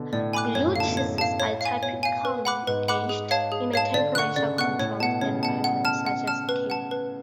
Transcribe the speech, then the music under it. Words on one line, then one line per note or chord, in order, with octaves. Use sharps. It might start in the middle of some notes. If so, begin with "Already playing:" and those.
Blue cheeses are typically aged in a temperature-controlled environment such as a cave.
Already playing: B2 D3
A2 D5
G#5 B5 D6 F#6
F#2 C#5
A2
D3 F5 A5
B2
A2 C#5
F5 A5
C#5
F5 G#5
B2 C#5
F5 G#5
B4
F#5 B5 D6 F#6
G#2 B4
F#5 B5 D6 F#6
G#4
C#5 F5 A5
G#4
G#2 C#5 F5 A5
D3 D5
D3 F#5 C#6 F#6
C#3 D5
B2 F#5 C#6 F#6
A2 C#5
B2 F#5 A5
C#3 C#5
B2 F#5 A5
F#5
A5 F6
F#5
A5 F6
B4
F#5 A5
B4